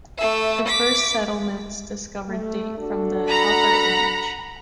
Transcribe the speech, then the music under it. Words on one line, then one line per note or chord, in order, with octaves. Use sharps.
The first settlements discovered date from the Copper Age.
A3 E5
D6 B6
A3
D4 F#4 A4
F#5 A#5 B5